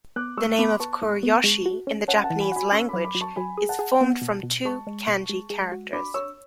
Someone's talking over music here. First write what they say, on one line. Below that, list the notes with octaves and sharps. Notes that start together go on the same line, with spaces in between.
The name of Kurayoshi in the Japanese language is formed from two kanji characters.
B3 D6 F#6
G#3 C#6 E6
B3 B5 D6
B3 A5 C#6
A2
B3
G#3
F#4
C#4
C#4 F#5 A5
F#5 A5
E3
G#5 B5
F#4 G#5 B5
C#4 C#6 E6
F#3 B5 D6
B5 D6
F#3
A5 C#6
F#3 G#5 B5
G#4
F#5 A5
G#4
B3
B2
B2
G#3 A5 C#6
G#3
B2
G#3
G#3
F#4
D4 B5 D6
C#5 C#6 E6